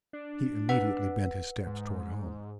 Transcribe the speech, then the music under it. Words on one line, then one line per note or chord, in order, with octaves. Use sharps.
He immediately bent his steps toward home.
D4
B4 F#5
G#2